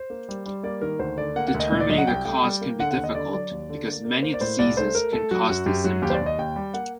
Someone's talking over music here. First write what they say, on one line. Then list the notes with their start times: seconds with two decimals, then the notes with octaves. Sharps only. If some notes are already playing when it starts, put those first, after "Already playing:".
Determining the cause can be difficult, because many diseases can cause this symptom.
Already playing: C5
0.10 A#3
0.29 G3
0.46 G3
0.63 A#3 D5
0.81 D#3 A#4
0.99 D2 C5
1.17 D3 D5
1.36 A#3 F#5
1.48 F#5
1.54 D2
1.60 D#5
1.72 A#2 D#5
1.80 D5
1.89 F#3 D#5
1.98 F#5
2.07 C2 G5
2.25 A3 G5
2.43 G3
2.61 A#3
2.79 D3 F#5
2.91 F#5
2.98 D#2
3.04 D#5
3.15 D3 D5
3.33 F#3 D5
3.51 D#2
3.69 D3
3.87 A#3
4.04 A#3
4.23 A#3 C5
4.34 D5
4.40 A2 C5
4.59 C2 D5
4.76 A3 C5
4.95 A3 A#4
5.12 A3 A4
5.31 F#3 F#4
5.48 F#2 F#4
5.66 F#2 G4
5.84 F#3 F#4
6.02 D#2 G4
6.10 C5
6.14 D5
6.21 D#2
6.26 D#5
6.38 D#2 G5
6.56 G3
6.74 A#3 F#5